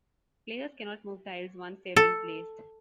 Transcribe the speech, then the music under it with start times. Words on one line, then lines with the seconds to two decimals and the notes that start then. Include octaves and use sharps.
Players cannot move tiles once they have been placed.
1.96 A4